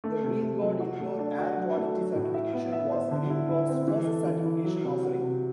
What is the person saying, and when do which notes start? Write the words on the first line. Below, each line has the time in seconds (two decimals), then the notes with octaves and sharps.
The Greenguard Indoor Air Quality Certification was Greenguard's first certification offering.
0.04 A3
0.23 C3
0.42 A3
0.61 F#3
0.80 F#4
1.00 A3
1.19 D4
1.38 F#4
1.57 F#3
1.76 A3
1.96 F#3
2.15 A2
2.34 E5
2.53 B3
2.72 E5
2.92 C5
3.11 D3
3.30 E4
3.49 E4
3.69 C4
3.88 E3
4.07 A4
4.27 E3
4.45 E4
4.64 F#3
4.84 C3
5.03 F#4
5.22 C3